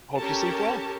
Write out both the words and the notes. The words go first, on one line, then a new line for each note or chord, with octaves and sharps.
hope you sleep well.
C#4 G4 A4 A#4 A5